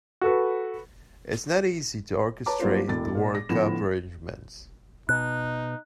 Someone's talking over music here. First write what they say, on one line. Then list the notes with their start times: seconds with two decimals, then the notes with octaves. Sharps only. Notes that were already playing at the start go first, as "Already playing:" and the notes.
It is not easy to orchestrate the world cup arrangements.
0.21 F#4 A4 B4
2.46 B4 C#5 A5 A#5 D6
2.60 F#3 A#3 D4 E4 F4 C5
2.88 E1 A2 E3 A6
3.15 A#2 G#4
3.35 A#6
3.49 A2 D3 F3 B3 E7
5.09 B2 D#4 F#6